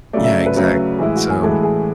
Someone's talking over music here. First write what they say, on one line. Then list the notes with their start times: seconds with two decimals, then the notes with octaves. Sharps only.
Yeah. Exact so,
0.13 C#3 F#3 A3 D5
0.24 E5
0.35 D5
0.46 B4
0.56 C#3 F#3 A3
0.99 A2 E3 G#3 E4
1.15 F#4
1.29 G#4
1.41 A2 E3 G#3 A4
1.63 G#4